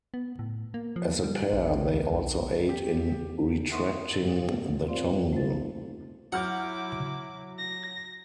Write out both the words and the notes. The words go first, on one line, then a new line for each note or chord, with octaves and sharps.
As a pair they also aid in retracting the tongue.
B3
A2
A#3
F3
G3
A#1
C#2
B1
G4
E5 F#5 C6 C#6 D#6
G2 C3 F#3
C4 F4 C5 D5 F5
A3 A#3 D#4 C5 F5 A6
F#3 E4 F#5 D6 F6 G6
A#6